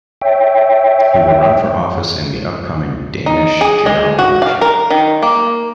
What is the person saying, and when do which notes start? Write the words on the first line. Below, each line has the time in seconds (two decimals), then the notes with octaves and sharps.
He will run for office in the upcoming Danish general election.
0.21 C#5 E5 G5
3.26 D#4
3.61 G#4
3.86 G#3
4.19 F#4
4.42 F5
4.61 A#4
4.90 D#3
5.22 A#3